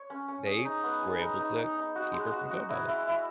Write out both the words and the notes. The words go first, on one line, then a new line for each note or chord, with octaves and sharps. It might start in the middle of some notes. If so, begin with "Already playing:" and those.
they were able to keep her from going down there.
Already playing: C#5
C#4
C#4
G#4
D#4
B3
G#4
D#4
D#4
D#4
D#4
F#4
G#3
F#4
F#4
E4
E4
E4